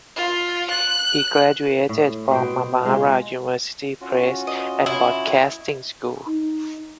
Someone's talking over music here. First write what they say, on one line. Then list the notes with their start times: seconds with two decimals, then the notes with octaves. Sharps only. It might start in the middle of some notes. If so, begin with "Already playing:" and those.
He graduated from Marmara University Press and Broadcasting School.
0.16 F4
0.71 F#6
1.89 A2
2.31 B2 C5 G5
2.81 G#3 F4
4.01 C#4 F4 F#4
4.47 D#5
4.86 E4
6.26 D#4